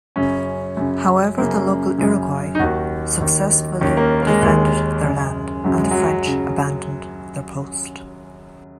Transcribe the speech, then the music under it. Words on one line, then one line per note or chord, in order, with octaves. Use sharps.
However, the local Iroquois successfully defended their land and the French abandoned their post.
F#2 C#3 C#4
F#2 C#3
F#2 C#3 A#3
F#2 C#3
D#4
D#2 D#3 F#4
D#2 D#3
D#2 D#3 C#4
A#3
A#3
G#3
D#2 D#3 G#3
F#2 C#3
F#2 C#3 F#3
G#3
F#3
C#3